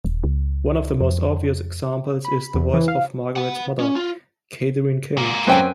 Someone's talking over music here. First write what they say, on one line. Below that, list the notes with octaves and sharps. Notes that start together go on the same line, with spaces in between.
One of the most obvious examples is the voice of Margaret's mother, Katherine Kim.
D#1
C#2
F2
B5
E2
E3
F5
B3 F#5
C#4
F4
G#2 A#3
F#2 C4 C#4 B4 G5 G#5